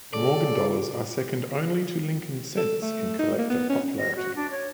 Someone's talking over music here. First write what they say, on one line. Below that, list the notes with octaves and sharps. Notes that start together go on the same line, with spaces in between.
Morgan dollars are second only to Lincoln Cents in collector popularity.
C#3 A4 D5
A4
A3
D#4
A#3
B3
C#4
A#6
F#4
D4
C#5